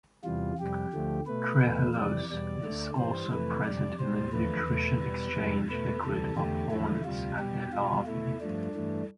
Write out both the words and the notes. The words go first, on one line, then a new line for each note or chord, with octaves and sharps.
Trehalose is also present in the nutrition exchange liquid of hornets and their larvae.
E2 C3 E3 G3 F4
F2 C3 G3 G4
D2 D3 F3 A3
B2 A3 B4
E2 B2 A3
F2 C3 E3 G3 D5
E2 B2 G3 D5
D2 D3 A3
G2 E3 G3 C5
F2 C3 E3 A3 B4
F2 C3 G3 D5
B2 G3 C5
E2 D3 F3 A3 B4
E2 B2 A3
B2 G3
F2 C3 G3
B2 A3 B4
D2 C3 E3 G3 A4
E2 D3 A3 G4
E2 D3 F3 A3 E4
D2 C3 G3 F4
B2 G3 G4
B2 G3 F4
B2 A3 E4
G2 F3 A3 D4
G2 E3 A3